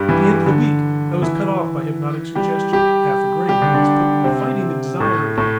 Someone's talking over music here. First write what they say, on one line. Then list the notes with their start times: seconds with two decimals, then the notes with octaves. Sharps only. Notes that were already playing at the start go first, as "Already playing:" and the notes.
At the end of the week I was cut off by hypnotic suggestion half a grain and this put me to fighting the desire again.
Already playing: G2 G3
0.09 E3
0.46 D3
1.22 E3 E4
2.35 G3 G4
2.73 G3 G4
3.49 G3 G4
3.62 D3 D4
3.74 D3 D4
4.24 C3 C4
5.00 A2 A3
5.37 A2 A3